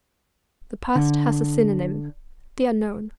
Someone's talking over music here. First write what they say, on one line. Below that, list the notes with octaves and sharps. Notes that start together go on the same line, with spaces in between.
The past has a synonym, the unknown.
D3